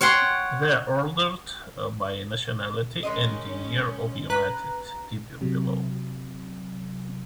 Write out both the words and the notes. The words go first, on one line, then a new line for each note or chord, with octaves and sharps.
They are ordered by nationality and year of United debut below.
C#5 F#5 G5 C6
D#3 G#3 C#4 D#5
B4 A#5 F#6
C3 F#3